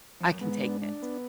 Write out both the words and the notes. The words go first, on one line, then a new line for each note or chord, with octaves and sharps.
I can take it.
F2
F#2
G#2 B3
D4
D4
B3